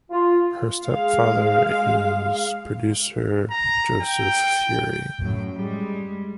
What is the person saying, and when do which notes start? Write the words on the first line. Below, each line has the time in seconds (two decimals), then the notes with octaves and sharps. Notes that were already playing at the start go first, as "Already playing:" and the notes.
Her stepfather is producer Joseph Feury.
0.11 F4
0.84 G#3 F5
3.51 A#5
4.01 G5
5.20 F#2 A2 F#3
5.54 G3 G#3